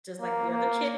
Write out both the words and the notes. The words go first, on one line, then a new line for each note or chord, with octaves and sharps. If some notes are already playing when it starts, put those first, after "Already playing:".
just like the other ki
A#3
A#3